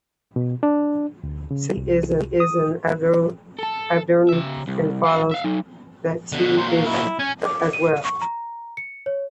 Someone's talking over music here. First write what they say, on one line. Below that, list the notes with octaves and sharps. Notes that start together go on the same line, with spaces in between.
Since C is abelian, it follows that T is as well.
B2
D4
D2
C#3
C2
D#6
A4 A5
C#3 E5
C2
F#4 F5
E5 F5
F#3 D#4
B2 D3
A#2 F#3 C5
F5
E4
C#4 G#5
D6
D#7
C#6
A#5
C#7
C#5